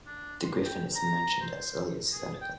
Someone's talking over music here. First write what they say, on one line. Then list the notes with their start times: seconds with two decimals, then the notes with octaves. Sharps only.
The griffon is mentioned as early as Xenophon.
0.06 D4
0.44 C6
0.65 G5
0.95 A#5
1.41 C5
2.12 G#4
2.41 G5